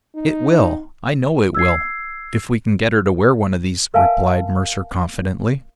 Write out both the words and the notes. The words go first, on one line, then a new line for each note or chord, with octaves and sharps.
"It will, I know it will!--if we can get her to wear one of these," replied Mercer confidently.
D#4
E6 G#6 C7
A#4 B4 E5 F5 G#5 A5